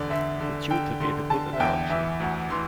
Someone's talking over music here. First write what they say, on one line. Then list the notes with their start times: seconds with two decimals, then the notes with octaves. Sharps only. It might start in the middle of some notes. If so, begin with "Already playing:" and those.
The tutor gave a good analogy.
Already playing: E2 D3 D5
0.10 D3 E5
0.40 D3
0.70 D3 G5
1.00 D3 C6
1.30 D3 A5
1.53 E5
1.60 E2 G5
1.90 E3 E5
2.20 D2
2.50 E3 C6